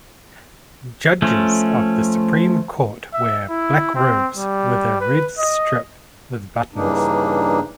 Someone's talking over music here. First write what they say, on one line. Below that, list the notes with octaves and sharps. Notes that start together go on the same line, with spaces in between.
Judges of the supreme court wear black robes with a red stip with buttons.
F3 A3 C#4
E5
E4
C4
G3
B4
D#5
G2 C#3 E3 A#3 D4 D#4